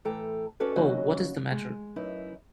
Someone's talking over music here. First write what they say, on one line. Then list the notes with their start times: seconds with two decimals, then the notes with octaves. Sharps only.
Oh, what is the matter?
0.05 A2 E3 A4 G5 A#5
0.60 C#4 F#4 A4 B4 D5
0.76 D#2 C#3 F#3 C#4 F#4 D#5
1.51 G#3
1.96 F#2 D#4 E4 B4